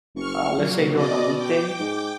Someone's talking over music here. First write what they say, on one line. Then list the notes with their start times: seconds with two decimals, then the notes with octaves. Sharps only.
uh, let's say during a weekday,
0.15 F#1 C#6 F6
0.57 A#2 C#3 F#3 A#3
0.93 B2 D5 D#5 D6
1.37 G5 D6
1.79 G#2